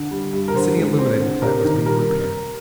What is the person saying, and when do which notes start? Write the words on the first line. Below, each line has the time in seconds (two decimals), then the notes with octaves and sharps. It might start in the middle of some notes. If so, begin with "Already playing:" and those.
The city illuminating plant was being repaired.
Already playing: D3
0.11 G3
0.33 G2
0.48 A#4
0.55 D3 C5
0.77 G#3
0.98 C4 C5
1.20 D3
1.42 C3 A#4
1.64 D#3
1.86 G3 A#4
2.08 C3